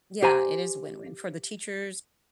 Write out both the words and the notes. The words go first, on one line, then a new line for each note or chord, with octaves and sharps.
Yeah, it is win-win, for the teachers,
G4 C5 G#5 A#5